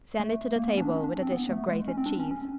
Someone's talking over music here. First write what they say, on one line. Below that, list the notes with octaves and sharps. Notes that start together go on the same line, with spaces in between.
Send it to the table with a dish of grated cheese.
A3
A#3
B3
C#4
D4
C#4
D4
C4
B3
A3
G#3
C#4
C4
D4
C#4
C#4